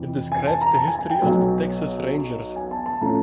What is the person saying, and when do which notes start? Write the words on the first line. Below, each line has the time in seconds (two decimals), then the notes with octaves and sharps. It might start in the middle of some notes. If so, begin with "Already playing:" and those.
It describes the history of the Texas Rangers.
Already playing: F2 C3 E3
0.32 G#5
0.46 A5
0.61 A#5
0.76 A5
0.87 G#5
0.99 G#5
1.10 G5
1.21 B1 B2 F#3 G#5
2.56 G#5
2.71 A5
2.86 A5
3.01 A2 F3 A3 C#4 A#5